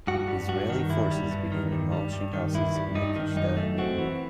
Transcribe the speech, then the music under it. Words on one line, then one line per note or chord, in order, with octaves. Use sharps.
Israeli forces began demolishing houses in the Qishta neighborhood.
G2 F#4
G3
G2 F#4
D#3
G2 E4
G3
G2
D#3
G2
G3
G2
D#3
G2 E4
G3
G2 D#4
D#3
F#2 D#4
A3
C4 F#4
E3